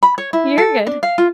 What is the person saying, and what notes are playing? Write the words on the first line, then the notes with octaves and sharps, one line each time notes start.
You're good.
B5
C#5
E4
A4
D4
F5
F4